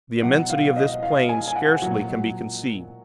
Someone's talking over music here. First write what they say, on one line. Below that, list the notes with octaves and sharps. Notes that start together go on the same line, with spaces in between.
The immensity of this plain scarcely can be conceived.
B2 F#3 F#5
F5
F5
D#5
F5
G#5
G#5
F#5
A#2 F#3